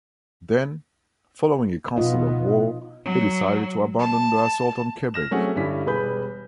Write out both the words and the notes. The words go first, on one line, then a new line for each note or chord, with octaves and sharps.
Then, following a council of war, he decided to abandon the assault on Quebec.
B2 B3 D#4 F4 D#5
F#3
A5
F6 A#6 E7
F#3 A3 C4 C#4 G#4 F#5
G2 D3 C#4 E4 B6
E1 G3 G#4 B4 B5 G6